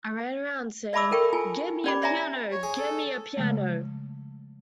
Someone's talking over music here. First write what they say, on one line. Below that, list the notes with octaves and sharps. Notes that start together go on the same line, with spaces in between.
I ran around saying 'Get me a piano, get me a piano!
D5 E5 A5 B5 D6 E6
A4 A#4 G5 B5 C#6
F4 G#5 A5
C#4 G4 D5 G5 B5 D6
C#5 D5 E5 G#5 A#5
C#5
G#4
A4
C#3 F3 G#3 A3